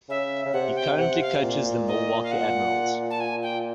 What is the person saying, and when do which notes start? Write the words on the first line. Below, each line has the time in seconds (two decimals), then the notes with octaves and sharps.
He currently coaches the Milwaukee Admirals.
0.09 C#3 E5
0.45 C#3
0.53 C3 F#5
0.75 G5
0.97 C3 F#5
1.21 F5
1.42 A#2
1.87 D#5
2.23 F5
2.32 F#5
3.10 A5
3.20 G#5
3.43 G5